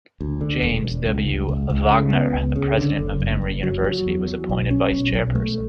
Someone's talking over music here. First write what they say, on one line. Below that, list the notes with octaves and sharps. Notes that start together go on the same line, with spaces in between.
James W. Wagner, the president of Emory University, was appointed vice chairperson.
D2
D3
E1
E1
C#2
C#2
C#2
C#2
C#3
B3
C#2
C#3
D3
F#1
F#1
F#1
F#3
F#3
E2
F#3
B1
C#4
B1
B1
A3